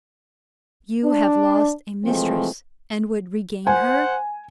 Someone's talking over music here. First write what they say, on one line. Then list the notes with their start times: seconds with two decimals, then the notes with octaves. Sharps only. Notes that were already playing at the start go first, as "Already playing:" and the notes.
"You have lost a mistress, and would regain her?"
1.05 D4
2.06 C3 E3 F3 G#3 A3 C4
3.67 C5 F#5 G#5